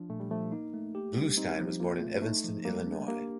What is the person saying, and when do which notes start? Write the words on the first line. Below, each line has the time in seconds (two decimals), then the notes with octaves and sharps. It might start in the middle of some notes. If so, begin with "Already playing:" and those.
Bluestein was born in Evanston, Illinois.
Already playing: F3 D4
0.09 A#2 A3
0.20 G3
0.31 F3 A3
0.52 A#3 D#4
0.74 A3
0.95 G4
1.16 G3
1.38 C4 D#4
1.59 F3
1.80 A#3 F4
2.01 A3
2.22 A3 D#4
2.44 F3
2.65 G3 A#3
2.87 D4
3.08 A#3 G4